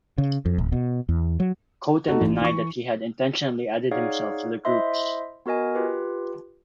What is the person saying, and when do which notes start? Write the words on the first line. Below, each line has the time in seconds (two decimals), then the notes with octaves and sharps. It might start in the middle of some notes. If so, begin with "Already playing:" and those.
Koten denied that he had intentionally added himself to the groups.
0.18 C#3
0.45 F2
0.58 D1
0.72 B2
1.09 E2
1.40 F#3
2.07 A3 D#4 F#4 A4
2.21 A1
2.41 E3 C#6
3.91 D#4 G#4 C#5 D5 F5 F#5
4.65 E4 C5 D#5 E5 C6
5.46 B3 F#4 A#4 D#5 G#5
5.75 F4 G4 B4